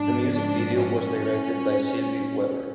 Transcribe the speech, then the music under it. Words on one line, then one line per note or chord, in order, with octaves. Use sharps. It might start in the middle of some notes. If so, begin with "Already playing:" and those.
The music video was directed by Sylvie Weber.
Already playing: G#2 F3 D4
D4
C#4